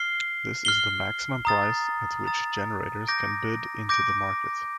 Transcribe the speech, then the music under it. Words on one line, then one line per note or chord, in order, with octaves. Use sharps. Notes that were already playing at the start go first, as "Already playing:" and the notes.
This is the maximum price at which generators can bid into the market.
Already playing: F6 C7 G7
F6 C7 G7
A#5 D#6 A6
A#5 D#6 A6
D6 G6 A#6 D7
D6 G6 A#6 D7